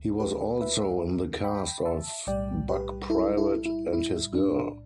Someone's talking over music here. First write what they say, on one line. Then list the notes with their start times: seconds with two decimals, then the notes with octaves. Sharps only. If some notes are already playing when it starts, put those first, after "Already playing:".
He was also in the cast of "Buck Private and His Girl".
Already playing: D2
0.20 G4 B4
0.61 B4 E5
1.44 G5 B5
1.85 E5 A5
2.27 B1 A2 G3 D5 G5
2.69 G4 B4
3.10 E4 A4
3.37 E4 A4
3.66 E4
3.93 E4
4.35 D4